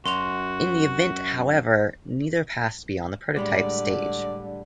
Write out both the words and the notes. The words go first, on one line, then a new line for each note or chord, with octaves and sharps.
In the event, however, neither passed beyond the prototype stage.
F#2 F#4 C6 F7
A2 D3 G3 G#3 D5